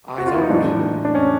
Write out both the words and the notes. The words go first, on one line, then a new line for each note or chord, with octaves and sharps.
Eyes are blue.
F#4
F4
E4
D#4
A2 E3 G#3 D4
D4
C#4